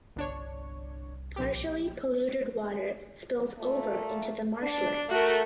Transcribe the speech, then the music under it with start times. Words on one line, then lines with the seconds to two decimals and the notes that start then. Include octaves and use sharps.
Partially polluted water spills over into the marshland.
0.16 G1 C2 D4 C#5
1.36 A#1 G4
3.58 A#2 A3
4.63 D4
5.09 A3 F#4 A#4